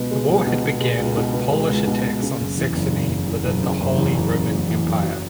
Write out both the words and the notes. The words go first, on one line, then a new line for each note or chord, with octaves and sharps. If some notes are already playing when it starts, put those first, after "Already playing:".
The war had begun with Polish attacks on Saxony within the Holy Roman Empire.
Already playing: C#2 B2 B3
G#3
C#2
B2
B3
G#3
C#2
B2
B3
G#3
C#2
B2
B3
C#3
F#1
E2
F#1
C#3
F#1
E2
F#1
C#3
F#1
E2
F#1
C#3
F#1
E2
F#1
F#3